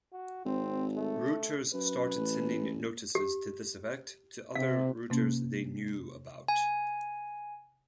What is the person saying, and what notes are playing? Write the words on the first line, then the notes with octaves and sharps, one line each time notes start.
Routers started sending notices to this effect to other routers they knew about.
F#4
G#1 C4
A3
F#2 B4
A1
G4
C3 F5
C3 A#3 C#4
G#5